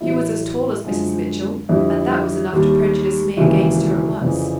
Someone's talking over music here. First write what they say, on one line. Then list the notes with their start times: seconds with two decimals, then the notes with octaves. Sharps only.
She was as tall as Mrs. Mitchell, and that was enough to prejudice me against her at once.
0.01 A1 A2 F#3 A3 E4
0.85 F#2 D3 F3 G#3
1.69 F2 D3 G3 E4
2.53 D#2 D#3 G3
3.37 E1 D#2 C#3 E3 E4
4.21 F1 F2 C#3 E3